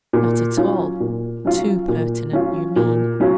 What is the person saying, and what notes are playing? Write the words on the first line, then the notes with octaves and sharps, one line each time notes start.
'Not at all--too pertinent, you mean.
A#2
F#3 C#4 F4
A#2
F#3 C#4 F4
A#2
F#3 C#4 F4
A#2
F#3 C#4 F4